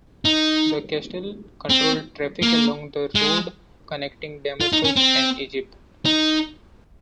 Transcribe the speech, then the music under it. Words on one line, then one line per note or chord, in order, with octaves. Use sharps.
The castle controlled traffic along the road connecting Damascus and Egypt.
D#4
C4
A#3
G#3
F4
D#4
C#4
C4
D#4